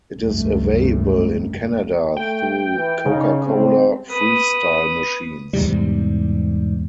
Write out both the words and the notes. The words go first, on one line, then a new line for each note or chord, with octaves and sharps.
It is available in Canada through Coca-Cola Freestyle machines.
F1 C#2 G2 D#3 A3
A3 G5
E3
C#3 D#4
G3 G#3 C4
B4 D#6
E2 G#2 C3 G3